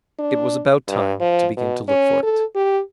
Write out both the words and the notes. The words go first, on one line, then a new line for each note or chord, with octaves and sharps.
It was about time to begin to look for it.
D4
G2
F3
B2
C#4
A4
G4